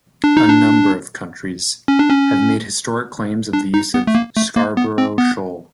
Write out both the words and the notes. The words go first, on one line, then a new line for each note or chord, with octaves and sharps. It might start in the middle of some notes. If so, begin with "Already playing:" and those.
A number of countries have made historic claims of the use of Scarborough shoal.
D4
D#4
D4
C#4
D4
C#4
D4
D#4
B3
A3
A#3
A3
A#3
B3
C4
B3